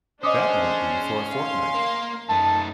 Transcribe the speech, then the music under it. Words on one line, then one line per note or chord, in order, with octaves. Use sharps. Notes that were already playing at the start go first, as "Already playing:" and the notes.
That won’t be for a fortnight.
C#4 D4 G#4 C5 D#5 D6 D#6
F5 C6
A#3
F#2 A3 D#4 A5